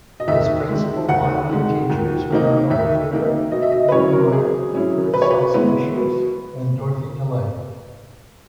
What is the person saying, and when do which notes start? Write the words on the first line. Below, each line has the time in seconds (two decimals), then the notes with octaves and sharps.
His principal violin teachers were Ilona Feher, Henry Meyer, Kurt Sassmannshaus, and Dorothy DeLay.
0.20 D#5
0.28 D#2 E5
0.68 D#3 G#3
1.09 D#2 F#5
1.49 D#3 G#3
1.90 D#2
2.30 D#3 A#3 D#4
2.70 D#2 E5
3.11 D#3 A#3 D#4
3.52 B2 D#5
3.62 E5
3.72 D#5
3.89 B4
3.92 F#3 C#4 E4 C#5
4.12 A#4
4.32 B2 G#4
4.73 F#3 C#4 E4
5.13 B2 B4
5.22 C#5
5.30 B4
5.54 G#3 B3 E4
5.94 B2